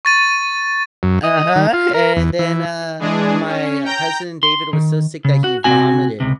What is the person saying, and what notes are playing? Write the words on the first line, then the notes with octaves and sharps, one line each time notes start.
Uh-huh, and then, uh, my cousin David was so sick that he vomited,
C#6 A6 D#7
F#2
D#5
D#3
F4
A#4
E2
E3
E3 G#3 D4 G#4
C#4
G5 A#5 G6
C6
D#3
C#3
F#4
C3 G#3 C4 F#4 G#5
C#2 C3